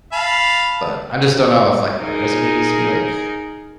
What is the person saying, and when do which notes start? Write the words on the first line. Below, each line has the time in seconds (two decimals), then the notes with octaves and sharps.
but I just don't know if, like, my resume needs to be, like, ch
0.13 F5 A5 B5
2.01 D#4 G#4 A#4